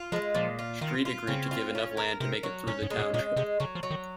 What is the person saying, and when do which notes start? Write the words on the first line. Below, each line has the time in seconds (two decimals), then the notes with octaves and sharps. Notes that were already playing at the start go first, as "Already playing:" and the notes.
Street agreed to give enough land to make it through the township.
Already playing: F4
0.12 F3 G#3
0.35 A#2 F3
0.59 F4
0.81 D#3 F4
1.05 F4
1.27 C#3 C4
1.51 F4
1.75 C#4
1.97 A#4
2.20 C3 A#4
2.43 F#3
2.67 A#2 C#4
2.82 G#2
2.90 G#3
2.98 A#2
3.14 A#2 G#3
3.36 C3 G#3
3.60 C#3 F#3
3.75 F3
3.83 F#3
3.90 D#3